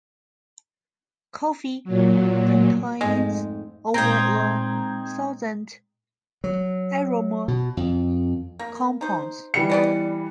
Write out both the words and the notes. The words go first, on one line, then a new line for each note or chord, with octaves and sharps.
Coffee contains over a thousand aroma compounds.
A#2 F#3
F2 G#2 G#3 A3
A#2 G#3 C4 D#4 A#5 G6 G#6
F#3
B2
F2
A#3
D#4 C5
E3 G3 C#7
B3 D5 D#5